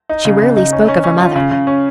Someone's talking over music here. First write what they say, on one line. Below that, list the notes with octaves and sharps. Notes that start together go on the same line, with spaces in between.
She rarely spoke of her mother.
D#4
C#3
C#3
D#4
C#4
C#4
C#4
F4
C#3
C#3
C#4